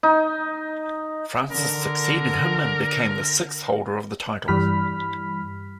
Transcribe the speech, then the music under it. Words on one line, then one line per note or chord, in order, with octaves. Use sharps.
Frances succeeded him and became the sixth holder of the title.
D#4
D3 A#4
G2 E3 G3 B5 F6 B6